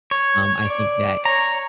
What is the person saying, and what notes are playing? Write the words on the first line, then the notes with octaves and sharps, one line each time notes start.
um, I think that
C#5
D5
C#5 A#5